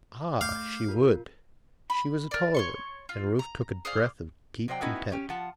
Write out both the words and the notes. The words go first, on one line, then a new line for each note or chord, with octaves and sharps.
Ah, she would--she was a Tolliver and Rufe took a breath of deep content.
A3 F5 D6 G6
F4 A#4
B5
A#4 D5
C#5 C6 C#6
F4
A#5
G#4 C5 D5 F5
C3 F#3 C5 D5 G5
A3 B3 C#4 D#4 E4 F#4
C#4 G4
F3 F4 F#5 A5